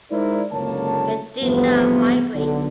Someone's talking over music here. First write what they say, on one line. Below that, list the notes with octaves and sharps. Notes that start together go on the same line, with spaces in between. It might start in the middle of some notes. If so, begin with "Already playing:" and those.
They do not migrate.
G#3 D#4 E4 A#4 C5 D5
F#1 C#2 D3 A#3 C#5 A5
E2 G2 C3 F3 A3 B3
B1 D3